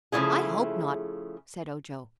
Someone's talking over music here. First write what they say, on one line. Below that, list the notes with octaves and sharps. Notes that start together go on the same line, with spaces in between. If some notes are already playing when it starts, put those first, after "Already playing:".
"I hope not," said Ojo.
C#3 F3 G3 A3 E4 G#4